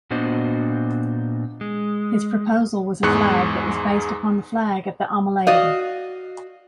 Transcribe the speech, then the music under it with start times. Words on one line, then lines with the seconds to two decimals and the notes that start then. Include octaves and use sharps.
His proposal was a flag that was based upon the flag of the Ommelanden.
0.11 A#2 B3 D4 F#4 C5 D#5
1.61 G#3
3.03 E2 G#2 G#4 C#6 F#6 C#7
5.47 F#4 D5 D#5 F5